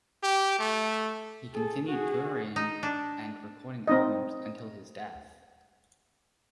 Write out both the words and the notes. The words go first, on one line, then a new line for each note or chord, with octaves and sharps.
He continued touring and recording albums until his death.
G4
A3
G#4 A4
F#4 G#4
D#4
D4
C4 D#4 D#5